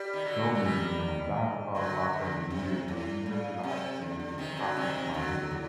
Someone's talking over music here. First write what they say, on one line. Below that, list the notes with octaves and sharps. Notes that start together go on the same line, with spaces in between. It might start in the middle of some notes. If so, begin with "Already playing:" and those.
so many memories, I haven't thought about them in years, but when you mentioned the ice cream, it just popped into my head.
Already playing: G3
D#3
D3 F#3
F#3
D#3 G3
D3 F#3
D3
C3
A2
A#2
C3
D3
D3
C3 D#3
D3 F#3
C3 D#3
D3 F#3
A2